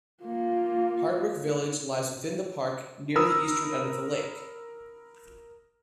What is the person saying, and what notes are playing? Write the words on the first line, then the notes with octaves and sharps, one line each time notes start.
Hardwick Village lies within the park, near the eastern end of the lake.
A#3 F4
A#4 B5 D#6 E6